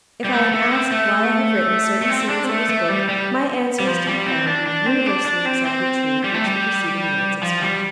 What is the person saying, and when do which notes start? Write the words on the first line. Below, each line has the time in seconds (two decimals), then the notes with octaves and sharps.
If I am asked why I have written certain scenes in this book, my answer is to be found in the universally-accepted truth which the preceding words express.
0.25 G3
0.32 A3
0.52 A3
0.71 C4
0.91 A3
2.02 A3
2.10 C4
2.29 D4
2.44 C4
2.49 A3
2.69 A3
2.89 G3
3.09 G3
3.80 G3
3.87 F3
4.07 G3
4.26 C4
4.47 D4
4.66 D4
4.86 C4
5.06 D4
5.25 D4
5.45 C4
5.65 C4
6.24 G3
6.34 A3
6.44 G3
7.43 F3
7.62 G3